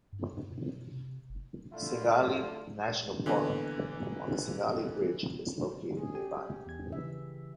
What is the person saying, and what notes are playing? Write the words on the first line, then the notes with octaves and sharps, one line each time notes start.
Singalila National Park on the Singalila Ridge is located nearby.
G2
G2
B2
C3
F#1
D3 A3 E4 F4
D3 E3 A#3 B3
G#4
C#4 G4 G#5
E2 G#6
C#3 E3 E5